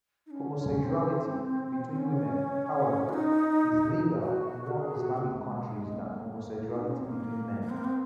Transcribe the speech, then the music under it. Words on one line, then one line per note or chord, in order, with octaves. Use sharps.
Homosexuality between women, however, is legal in more Islamic countries than homosexuality between men.
D#4
C#4
C#4
C4
C#4
F#4
D#4
F#4
A#4
G#4
F#4
A#3
G#3
C4
A#3
D#4
C#4
C4
A#3
A#3
C4
A#3
C4